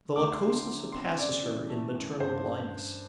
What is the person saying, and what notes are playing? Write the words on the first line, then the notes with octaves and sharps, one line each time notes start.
The Lycosa surpasses her in maternal blindness.
D2 D6
C6
D3
C6
F#3
C4 C6
F#2 D5
E3
A3
F#2
G2 C5